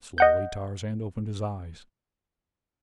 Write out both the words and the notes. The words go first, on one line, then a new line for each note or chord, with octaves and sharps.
Slowly Tarzan opened his eyes.
D#5 F#5 G6